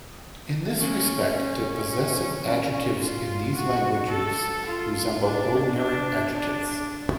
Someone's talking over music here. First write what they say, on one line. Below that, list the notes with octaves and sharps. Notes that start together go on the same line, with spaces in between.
In this respect the possessive adjectives in these languages resemble ordinary adjectives.
C#4
C#4
C#4
F4
F#4
A4
F4
D4
D4
D4